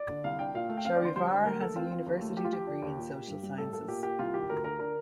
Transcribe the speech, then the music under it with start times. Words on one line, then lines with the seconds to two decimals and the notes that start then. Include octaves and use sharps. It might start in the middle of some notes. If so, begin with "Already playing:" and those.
Shahrivar has a university degree in social sciences.
Already playing: D5
0.09 D3
0.24 C2 F5
0.39 D4 G5
0.54 A#2 F5
0.69 A3
0.77 G5
0.85 C4 F5
0.95 D3 D5
1.05 C5
1.16 G3 C5
1.31 D3
1.45 A3 A#4
1.60 A3 A4
1.76 C4 F4
1.91 C4
2.06 D#2
2.21 A3
2.37 F3 G4
2.44 F4
2.52 F3 G4
2.67 D4
2.82 D#2
2.97 A#2
3.12 A#2
3.28 G2
3.43 G3
3.58 A2 A4
3.73 A#3 A4
3.88 A#2 G4
4.03 A#2 G4
4.19 C2 F4
4.34 D#3 G4
4.49 D2 A#4
4.64 D3 A#4
4.79 D4 A#4